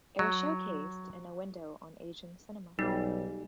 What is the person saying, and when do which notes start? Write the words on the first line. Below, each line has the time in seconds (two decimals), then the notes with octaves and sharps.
It was showcased in "A Window on Asian Cinema".
0.19 F#3
2.79 B1 G3 D#4